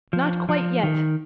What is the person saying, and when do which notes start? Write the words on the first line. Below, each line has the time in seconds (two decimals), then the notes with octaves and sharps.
Not quite yet.
0.13 F3
0.49 F3
0.83 D#3